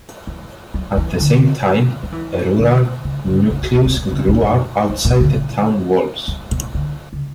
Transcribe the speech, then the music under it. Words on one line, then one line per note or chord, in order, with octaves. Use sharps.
At the same time, a rural nucleus grew up outside the town walls.
E3
F#3
E3
D3
F#3
E3
D3
C#3
C#3
C#3
B2
A#2
B2
B2
C#3
A#2
F#2
G2
A#2
D3
A#2
G2
B2
D3
C#3